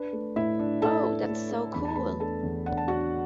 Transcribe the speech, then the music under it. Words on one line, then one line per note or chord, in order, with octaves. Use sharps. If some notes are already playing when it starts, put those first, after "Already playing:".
Ooh! That's so cool!
Already playing: D4 B4
A3
A2 E4 E5
D4
A2 A4 A5
D4
A3
A3
E2 B5
A5
A3 B4 B5
D4 A4 A5
E2
D4 F#5
A5
D4 F#4 F#5